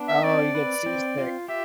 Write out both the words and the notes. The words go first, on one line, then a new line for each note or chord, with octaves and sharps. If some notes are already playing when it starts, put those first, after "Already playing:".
Oh, you get seasick.
Already playing: B3 D4
E5
C4 D5
B4
C4
F4
G4 E5